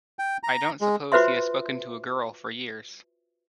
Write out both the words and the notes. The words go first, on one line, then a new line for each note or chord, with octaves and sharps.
I don't suppose he has spoken to a girl for years.
G5
A#5
G#3
F4 F#4 B4 C5 E5 C6